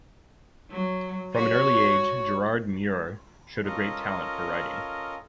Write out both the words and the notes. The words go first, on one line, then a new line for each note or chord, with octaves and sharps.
From an early age, Gerard Mur showed a great talent for writing.
F#3
F#4 C#5
C#4 F4 A4 A#4 D#5